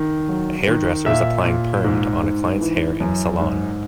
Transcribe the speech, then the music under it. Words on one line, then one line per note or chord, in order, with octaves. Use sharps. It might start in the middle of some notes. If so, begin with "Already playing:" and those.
A hair dresser is applying permed on a client 's hair in a salon.
Already playing: D#3
F#3
D#3
A#2 E5
A#2
G#2
G#2
E3
F#2
G#2